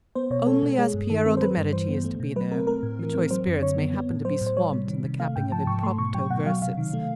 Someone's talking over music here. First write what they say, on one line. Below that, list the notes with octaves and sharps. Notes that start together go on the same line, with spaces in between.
Only, as Piero de' Medici is to be there, the choice spirits may happen to be swamped in the capping of impromptu verses.
B3 C5
B2 C#5
G#3 A4
B2
G#3 G#4
G2
D#3 A4
C4 A#4
C5
G3 B4
G2
E3 C5
B3
A3
B2
F#3 B4
C4 A#4
A3 A#4
A2
E3
C4
F#3 C5
F#2
D3 C#5
B3
B3
A2
F#3 C5
A2
C5
G3 C#5
C3
D#3
C3
A3 F5
G#2 G5
F3 A5
G#2 C#6
A3 C6
B2 C#6
F#3 G5
B2 F#5
F#3 F5
C3 F5
D#3
A3